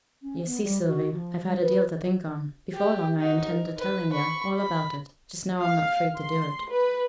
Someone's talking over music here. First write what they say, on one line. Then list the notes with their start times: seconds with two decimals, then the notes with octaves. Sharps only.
'You see, Sylvie, I've had a deal to think on; before long I intend telling yo' all about it; just now I'm not free to do it.
0.22 C#4
0.45 B3
0.62 G3
0.87 F#4
1.13 F3
1.44 G3
1.60 B4
2.75 G4
3.18 D#4 F#4
3.48 A#4
3.78 B4
4.12 B5 C#6
4.57 B5
5.60 F5
6.17 C6
6.70 B4